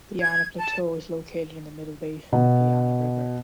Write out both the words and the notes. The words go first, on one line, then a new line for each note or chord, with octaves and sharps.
The Yana Plateau is located in the middle basin of the Yana River.
G#6
A5
B2